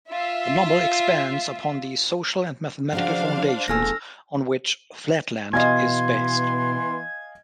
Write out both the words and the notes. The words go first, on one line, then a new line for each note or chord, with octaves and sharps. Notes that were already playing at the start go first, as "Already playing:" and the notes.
The novel expands upon the social and mathematical foundations on which "Flatland" is based.
F4 E5
C#3 F3 F#3 D4 F#4 C5 F5
D#1 E2 A3 G#5 E6 F6 A#6
B2 E3 B3 D#5 F5 G#5 C6 G#6